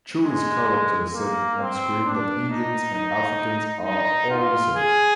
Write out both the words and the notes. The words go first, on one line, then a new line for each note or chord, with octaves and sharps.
Chew's character said onscreen that Indians and Africans are "all the same".
G#3
A#3
C4
D4
D#4
D#4
D#4
F4
G#4